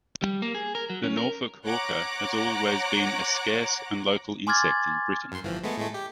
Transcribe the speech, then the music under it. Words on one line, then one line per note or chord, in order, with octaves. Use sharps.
The Norfolk hawker has always been a scarce and local insect in Britain.
G3
A#3
G#4
A#4
F#3
C#4
A#4
C#5 F#5 A#5 D6 F#6
G#5 C6 D6 F6 G#6 A6
F#2 C6
G1 E3 F3
G#3 A3 B3
A2 G#3 A3
G4